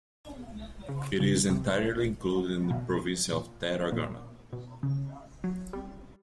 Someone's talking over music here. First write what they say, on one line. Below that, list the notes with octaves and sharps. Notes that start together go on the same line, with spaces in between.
It is entirely included in the province of Tarragona.
C#3
C#3
C3
B2
A#2
A#2
B2
C#3
F#3
G3